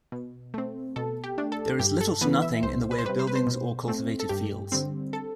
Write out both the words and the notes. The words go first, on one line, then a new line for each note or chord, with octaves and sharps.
There is little to nothing in the way of buildings or cultivated fields.
B2
A3 C4
B2 A4
G4
A3 D4
A4
G2 G4
A4
E3 B3 B4
E5
C2 C5
B4
C5
C3 G3 B4
C5
B4
C5
B2
A3 C4
A4
G2 G4
D3 G3 C4
A4